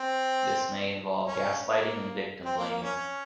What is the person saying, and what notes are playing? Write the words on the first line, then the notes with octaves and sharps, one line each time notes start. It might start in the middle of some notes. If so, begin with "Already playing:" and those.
This may involve gaslighting and victim blaming.
Already playing: C4
C#4
A#3
C4
A#3
A#3
C#4